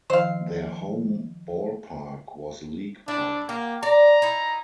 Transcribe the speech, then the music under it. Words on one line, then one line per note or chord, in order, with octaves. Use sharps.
Their home ballpark was League Park.
D#3 F3 E4 C5 F5
D4 E4
A#3 G4
D5 A#5
D#4 E4